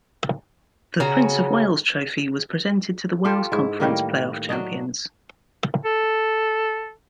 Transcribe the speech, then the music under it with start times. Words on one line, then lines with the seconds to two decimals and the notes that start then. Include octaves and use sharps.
The Prince of Wales Trophy was presented to the Wales Conference playoff champions.
1.00 C#3 F#4 A#5
3.25 F4 G4 A4
3.52 G#2 E4
3.80 A2 D#3 G3 A#3
4.49 F#3 D4 D#5
5.85 A4